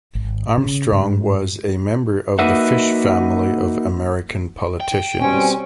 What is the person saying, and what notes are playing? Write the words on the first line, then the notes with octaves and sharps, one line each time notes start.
Armstrong was a member of the Fish Family of American politicians.
G#1
C#3
G#2
A#3 D#4 F#4 B4 E5 F#5
G5
B2 G3 C4 C#4 G#5